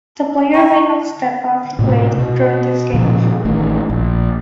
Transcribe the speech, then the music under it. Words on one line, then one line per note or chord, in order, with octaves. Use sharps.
The player may not step off the plate during this game.
E4 G5 C#6
A2 C3 A3
B2
A#2 C#3 F3 B3
A1 A2 D#3
A#1